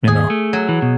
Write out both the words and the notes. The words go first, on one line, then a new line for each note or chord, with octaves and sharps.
you know,
D#2 G#4
A3
F#3
E3
B2